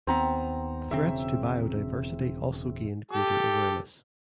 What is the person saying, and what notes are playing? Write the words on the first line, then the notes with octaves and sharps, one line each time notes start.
Threats to biodiversity also gained greater awareness.
D#2 B3 C4 A#5
E1 C#3 C4 E5
G4 A4